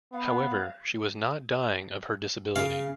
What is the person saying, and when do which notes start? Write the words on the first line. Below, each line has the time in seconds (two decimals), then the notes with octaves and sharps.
However, she was not dying of her disability.
0.13 B3 F5
2.56 C#3 F5